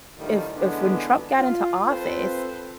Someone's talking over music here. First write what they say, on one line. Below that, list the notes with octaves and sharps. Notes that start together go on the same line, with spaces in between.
if if when Trump got into office,
A2 D3 D#3 F3 G3 A3
D3 E3 G#3 B3 C#4 D4
F4
C4 F4 A4 B4 C5